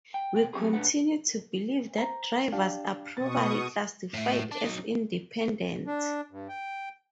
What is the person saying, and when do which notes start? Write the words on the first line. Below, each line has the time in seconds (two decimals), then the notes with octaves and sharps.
We continue to believe that drivers are properly classified as independent.
0.14 G5
0.35 B2 G5
0.54 F#3 A3 C4 G4 G#4
0.73 A#2 G#3 D4 B4 F#5
1.95 C5 A#5
2.52 D4 G4 F5
3.17 B2 C#6 D#6 A6
4.14 A2 A3
4.51 D4
4.65 F#3 D#4
5.87 D4
6.31 G2
6.49 G5